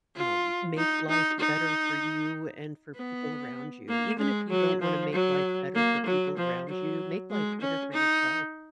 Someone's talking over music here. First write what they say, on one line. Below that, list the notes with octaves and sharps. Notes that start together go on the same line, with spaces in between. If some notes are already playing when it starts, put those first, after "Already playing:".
um, make life better for you and for people around you? Even if you don't wanna make life better for people around you, make life better for yourself.
F4
D#4
D#4
D#4
B3
A#3
G#3
F#3
F3
F#3
A#3
F#3
F3
F#3
G#3
C#4
D#4